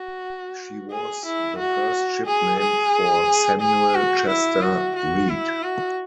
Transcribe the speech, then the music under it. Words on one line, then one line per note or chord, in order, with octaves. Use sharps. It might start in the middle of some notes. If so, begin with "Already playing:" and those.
She was the first ship named for Samuel Chester Reid.
Already playing: F#4
G#4
E4
F#4
G#4
G#4
G#4
F#4
E4
F#4
F#4
E4
F#4